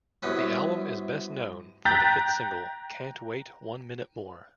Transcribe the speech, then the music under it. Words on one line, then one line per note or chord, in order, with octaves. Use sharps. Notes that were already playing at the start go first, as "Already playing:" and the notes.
The album is best known for the hit single "Can't Wait One Minute More".
C2 F#2 B3 C#4
G5 A#5 F#6 G6 A6 B6